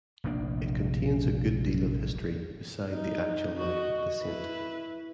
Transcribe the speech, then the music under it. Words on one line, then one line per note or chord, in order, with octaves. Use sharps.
It contains a good deal of history beside the actual life of the saint.
F1 A#1 A#3 D4
D#4
F#4 D#5
E4 B4